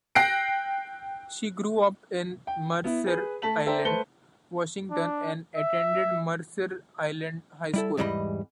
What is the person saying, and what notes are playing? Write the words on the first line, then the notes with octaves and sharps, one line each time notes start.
She grew up in Mercer Island, Washington, and attended Mercer Island High School.
G5 F#6 A#6 C7 D7
G5
B3 E4
G#4 B4
A3 A5 B6 F#7
A4 C5 D5 E5 G5 A#5
A3 B4 C5 A5 C#7 G7
D4
E5
G3 E4 A4
E2 G#2 E3 G3 D#5 B5